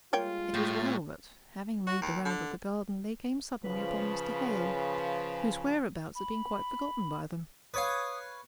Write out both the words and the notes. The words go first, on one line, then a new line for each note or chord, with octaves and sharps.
It was well that, having made the round of the garden, they came suddenly upon Mr. Hale, whose whereabouts had been quite forgotten by them.
G3 G#3 A#3 F4 C#5 G5
A2
F#4
D#2
D3
C#3 F3 B4
B5
B4 C#5 F5 D#6